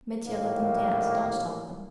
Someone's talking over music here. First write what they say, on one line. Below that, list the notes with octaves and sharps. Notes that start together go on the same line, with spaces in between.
Mitya, let them dance, don't stop them.
A#1 A2 D#3 G3 A#3